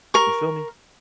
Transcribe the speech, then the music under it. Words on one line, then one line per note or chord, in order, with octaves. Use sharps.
You feel me?
A#4 C#6